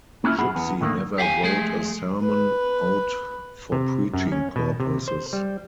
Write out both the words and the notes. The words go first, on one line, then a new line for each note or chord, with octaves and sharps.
Gipsy never wrote a sermon out for preaching purposes.
A#3 C#4 D4 E4 F4
F#2 G#4 F#5 B5
E2 B3
A2 D3 D#3 A3 A#3
G4 F5 F#5 G#5
F3 G#3 A3 G#4
B4
C3
F#2
C#4
B2
C3
C5
G3